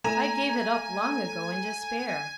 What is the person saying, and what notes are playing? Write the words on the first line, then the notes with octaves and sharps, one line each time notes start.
"I gave it up long ago in despair."
A3 G#5 A#5 E7